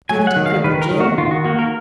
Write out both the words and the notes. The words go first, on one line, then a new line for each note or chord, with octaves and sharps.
"Give it to cripple Jim."
F#3 G#5
F#5
D#3
F5
D#3 B4
A#4
D#3
F#4
D#3 F4
F#4
A#3 F#4
A#4